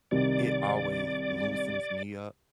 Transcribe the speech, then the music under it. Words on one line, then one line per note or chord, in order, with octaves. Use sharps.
it always loosens me up.
C2 C3 D#3 D5